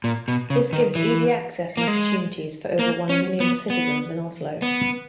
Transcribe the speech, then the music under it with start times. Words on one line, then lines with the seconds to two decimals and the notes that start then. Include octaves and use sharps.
This gives easy access and opportunities for over one million citizens in Oslo.
0.04 A#2
0.28 B2
0.50 C#3
0.73 D#3
0.95 E3
1.77 A#3
1.88 G#3
2.79 A#3
3.09 C#4
3.40 B3
3.70 B3
4.62 B3